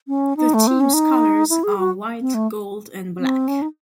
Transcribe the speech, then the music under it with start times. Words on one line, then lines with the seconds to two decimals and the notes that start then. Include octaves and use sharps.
The team's colours are white, gold and black.
0.08 C#4
0.37 D#4
0.54 A3
0.67 C4
0.80 C#4
0.93 D#4
1.50 E4
1.63 G#4
1.78 F#4
2.20 C4
2.34 A3
3.19 C4
3.48 C#4
3.62 D#4